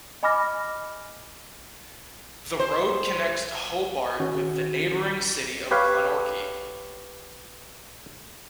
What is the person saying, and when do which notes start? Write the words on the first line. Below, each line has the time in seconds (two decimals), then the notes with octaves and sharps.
The road connects Hobart with the neighbouring city of Glenorchy.
0.23 D#5 G#5 B5 D6 F6 A#6
2.60 C5
4.20 D#3 C#4 F#4
5.71 G4 B4 C#5 F5